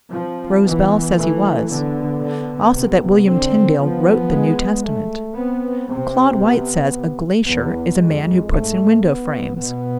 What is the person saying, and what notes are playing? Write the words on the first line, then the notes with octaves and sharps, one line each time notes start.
Rose Bell says he was . . . also that William Tyndale WROTE the New Testament. Claude White says a 'glacier' is a man who puts in window frames!
F3 C4
E3 B3
E3 A3
D3 B3
D3
C3
D3 C4
F3 B3
G#3
A3
B3 C4
C3 C4
B3
E2 B3
F2 G#3
G#2 A3
B3
B2 B3